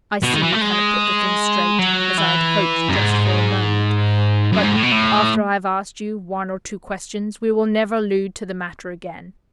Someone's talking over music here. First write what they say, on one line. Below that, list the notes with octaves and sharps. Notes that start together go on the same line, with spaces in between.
I see you cannot put the thing straight, as I had hoped just for a moment: but, after I have asked you one or two questions, we will never allude to the matter again.
B2
D#3
E3
A3
G#3
F#3
E3
F#2
G#2
F#2
G#2
A2
B2
A2